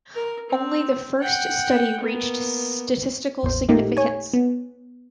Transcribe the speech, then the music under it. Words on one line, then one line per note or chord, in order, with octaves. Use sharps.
Only the first study reached statistical significance.
A#4
C4
F#5 G5
A#3 B3
A1 E2 C5
A#2 A3 A#3 D#4 G4
C#5 G#5
B3